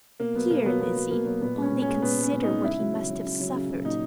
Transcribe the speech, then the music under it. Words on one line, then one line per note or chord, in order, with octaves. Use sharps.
Dear Lizzy, only consider what he must have suffered.
B2 A#3
F#3 B3
B2 A#3
F#3 B3
B2 B3
F#3
B2 A#3
F#3
A#2 B3
G#3
C#4
A#2
C#4
G#3
A#2 B3
G#3 C#4
A#2
D#4
G#3
C#3 E4
F#3
C#3
F#3
C#3
F#3
C#3
F#3
A#2 D#4